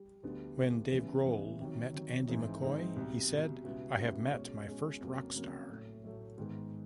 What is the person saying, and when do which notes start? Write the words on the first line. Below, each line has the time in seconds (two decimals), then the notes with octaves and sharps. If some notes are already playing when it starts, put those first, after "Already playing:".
When Dave Grohl met Andy McCoy he said I have met my first Rockstar.
Already playing: G3
0.23 D2 D3 G3 B3 D4
0.57 D2 D3 G3 B3 D4
0.91 C#2 C#3 E3 G3 B3
1.25 C#2 C#3 E3 G3 B3
1.60 C3 D#3 F#3
1.94 C3 D#3 F#3
2.28 G#2 E3 G#3 C4 D#4
2.62 G#2 E3 G#3 C4 D#4
2.96 C2 B2 G3
3.31 C2 B2 G3
3.64 C#2 B2 G3 B3 E4
3.99 C#2 B2 G3 B3 E4
4.33 B2 G#3 C#4
4.67 B2 G#3 C#4
5.01 F2 C#3 F#3 A#3
5.35 F2 C#3 F#3 A#3
5.69 A2 F#3 A3
6.04 A2 F#3 A3
6.38 G#2 D#3 G#3 B3